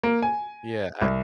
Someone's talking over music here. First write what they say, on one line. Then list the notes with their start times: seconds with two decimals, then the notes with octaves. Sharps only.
Yeah, I
0.03 A#3
0.22 G#5
1.01 C2